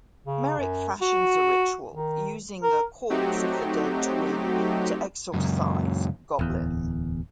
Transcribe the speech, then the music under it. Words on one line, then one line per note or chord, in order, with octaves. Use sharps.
Merrick fashions a ritual, using the corpse of the dead twin, to exorcise Goblin.
C#3
F#2
F#4
D#3
A#4
F#3 A3 C4 D#4 F#4 G4
C#2 F#2
D1 E2